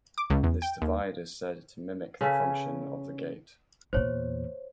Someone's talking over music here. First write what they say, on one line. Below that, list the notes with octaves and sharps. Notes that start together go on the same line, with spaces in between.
This divide is said to mimic the function of the gate.
D6
C#2
E2
G5
D#2
C#3 C#4 A4 B4
E2 A#2 C5 C#5